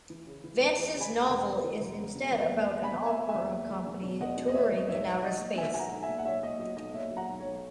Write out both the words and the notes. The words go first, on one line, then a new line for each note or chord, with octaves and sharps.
Vance's novel is instead about an opera company touring in outer space.
E3
C#3
E3
E2
E3
C#3
G#5 B5
E2
F#5 A#5
E1
C#3
E3
E1
C#3
B2
E2
A#3
A#3
B2 G#5 B5
A#3
E5 G#5
A#3
E5 G#5
E2
A#3
E2
B2
B2
E2 D#5 F#5
B2
D#5
A#3 C#5 E5
E2
D#5
B1 C#5 E5
B1
F#3 D#5 F#5
A#2
B1 E5 G#5
F#3 G#5
F#5 A#5
B1
E5 G#5
A#2
F#5
B1 C#5 E5
A#2 D#5
F#3 D#5
B1 D#5
A#2 C#5 E5
F#3
F#5 A#5
B1
B1 C#5